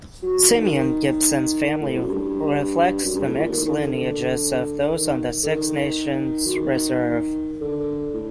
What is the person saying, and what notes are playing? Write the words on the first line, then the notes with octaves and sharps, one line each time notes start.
Simeon Gibson’s family reflects the mixed lineages of those on the Six Nations Reserve.
F#3
D#3
D#3
A2
F#2
G2
F#2
G2
A2
A#2
D#3
D#3
D3
D3
D#3
D3
D#3
F#3
D#3
D3
A2